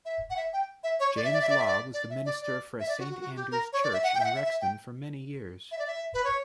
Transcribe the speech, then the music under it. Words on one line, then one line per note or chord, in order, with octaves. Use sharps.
James Law was the Minister for Saint Andrew's Church in Rexton for many years.
E5
F#5
E5
G5
E5
C#5
D5
E5
D5
E5
D5
E5
D5
D5
E5
D5
D5
E5
D5
F#4
F#4
F#4
G4
A#4
C#5
D5
E5
F#5
G5
E5
F#5
E5
E5
G5
E5
D5
E5
B4
C#5